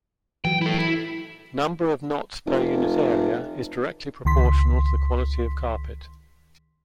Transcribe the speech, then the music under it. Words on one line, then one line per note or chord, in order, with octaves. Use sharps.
Number of knots per unit area is directly proportional to the quality of carpet.
E3 F#3 G5
E4 A4
E4
F1
C#2 D#3 C6 B6